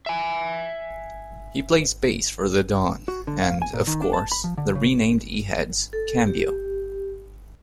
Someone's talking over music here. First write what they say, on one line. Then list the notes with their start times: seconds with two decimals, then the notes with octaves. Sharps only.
He plays bass for The Dawn and, of course, the renamed Eheads, Cambio.
0.06 E5 G#5
3.08 F#4
3.27 D3
3.42 F5
3.62 G#5
3.74 A#2
3.87 D#3
4.02 D4
4.13 A5
4.32 B5
4.44 F3
4.57 D3
4.75 C#3
5.93 A4
6.27 G4